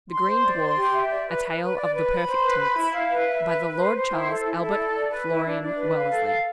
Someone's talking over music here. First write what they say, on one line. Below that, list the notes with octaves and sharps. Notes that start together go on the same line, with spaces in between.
"The Green Dwarf, a Tale of the Perfect Tense," by the Lord Charles Albert Florian Wellesley.
C6
C5
D5
C6
G4
E5
D5
B4
B4
B4
D5
B4
B5
C5
B4
B5
E4
F5
B4
E5
B4
B4
C5
C5
E4
A4
E4
A4
D5
D5
B4
E4
D4
D4
B4
F5
A4
F5